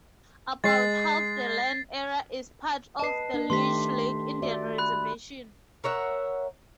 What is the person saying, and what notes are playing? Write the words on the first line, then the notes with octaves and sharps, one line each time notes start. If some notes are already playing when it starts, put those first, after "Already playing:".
About half the land area is part of the Leech Lake Indian Reservation.
G#3 A6 C7
B4 D#5 A5 C7
D4
D#3 A3 G4 C6 B6
F#4 D5 E5
B5 F#6
A#4 C#5 E5 F#5